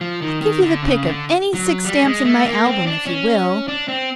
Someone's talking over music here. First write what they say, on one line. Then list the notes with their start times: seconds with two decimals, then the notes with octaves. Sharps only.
"I'll give you the pick of any six stamps in my album if you will."
0.01 F3
0.22 D#3
0.42 D#3
0.62 D3
0.83 C#3
1.03 D3
1.54 F#3
1.85 G3
2.05 G#3
2.25 A3
2.45 A#3
2.66 C4
2.87 D4
3.07 C#4
3.68 D4
3.88 C4